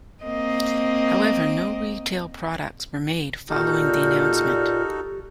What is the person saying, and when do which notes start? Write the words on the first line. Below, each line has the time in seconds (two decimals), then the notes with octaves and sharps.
However, no retail products were made following the announcement.
0.23 A#3 C4 D#5
3.49 A#2 D#4 F#4 G4 A4 F6 G6